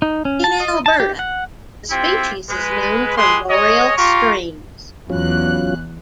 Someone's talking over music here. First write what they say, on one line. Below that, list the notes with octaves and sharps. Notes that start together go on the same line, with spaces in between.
In Alberta, the species is known from boreal streams.
D#4
C#4
A5
D#5
A5
G4
F#5
C4 E4 F4 G4 G5
G#3 B4
G#3 G4 G#4 B4 C6
G#3 C#5 D#5
F4 G4 A#5 C#6
E2 F#3 C#4 F4 F#6